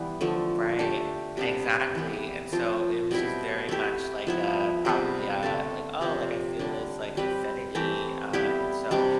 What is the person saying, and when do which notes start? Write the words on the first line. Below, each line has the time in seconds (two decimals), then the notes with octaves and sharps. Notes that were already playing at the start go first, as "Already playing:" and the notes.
Right. Exactly, and so it was just very much like, uh, probably, uh, like, "Oh, like, I feel this, like, affinity," uh, and so,
Already playing: E3 G3 B3
0.21 D3 F3 A3
0.79 A3 D4 G4
1.37 C3 G3 B3 D4
1.95 E3 G3 B3
2.52 F3 C4 F4
3.11 B2 G3 C4 E4
3.69 A3 E4 G4
4.27 F3 B3 E4
4.85 C3 G3 B3
5.43 D3 A3 D4 A4
6.01 C3 F3 C4
6.59 D3 G3 D4
7.17 G3 C4 G4 B4
7.75 E3 A3 C4 G4
8.33 G3 B3 E4 G4
8.91 C3 G3 D4